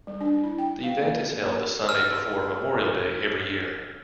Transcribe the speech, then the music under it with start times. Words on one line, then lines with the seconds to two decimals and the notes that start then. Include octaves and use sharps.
The event is held the Sunday before Memorial Day every year.
0.07 G3
0.21 D4
0.43 E4
0.58 G5
0.83 F5
1.01 A#3
1.89 E6 F6